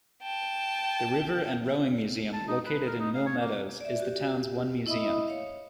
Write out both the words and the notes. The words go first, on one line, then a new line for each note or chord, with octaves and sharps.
The River and Rowing Museum, located in Mill Meadows, is the town's one museum.
G5 A5
A5
D#4
B4
A#4
D#4
F5
C#5
A#3
D5 E5
F#4 G4
E4 D#5 E5 B5 D#6
C#5 F5